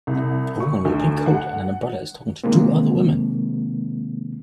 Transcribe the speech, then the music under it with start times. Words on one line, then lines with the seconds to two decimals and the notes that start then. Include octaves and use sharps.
A woman with a pink coat and an umbrella is talking to two other women.
0.07 C2
0.60 C#6
0.85 D2
1.26 F#5
2.44 C3 D#3 G#3 A#3 C4